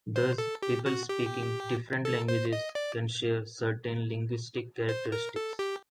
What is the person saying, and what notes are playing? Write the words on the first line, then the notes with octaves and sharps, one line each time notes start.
Thus people speaking different languages can share certain linguistic characteristics.
C5
A4
G4
F#4
G4
A4
C5
D#5
D5
C5
A#4
A4
G4